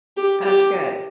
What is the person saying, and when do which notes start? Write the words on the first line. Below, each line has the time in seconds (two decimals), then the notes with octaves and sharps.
That's good.
0.17 G4
0.45 G4